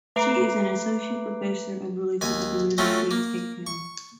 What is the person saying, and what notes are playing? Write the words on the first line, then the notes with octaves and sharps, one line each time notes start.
She is an associate professor of religion at the University of Cape Town.
A3 B4 A#5 D6 C7 D7
D#2 G#5
F#3 A3 C4 C#4 F4
A#3
C#6